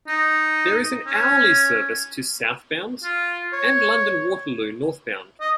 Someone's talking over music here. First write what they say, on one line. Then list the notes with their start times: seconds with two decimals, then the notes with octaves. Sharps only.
There is an hourly service to southbound and London Waterloo northbound.
0.08 D#4
1.06 C#4
3.04 F4
3.53 C#5
5.41 D#5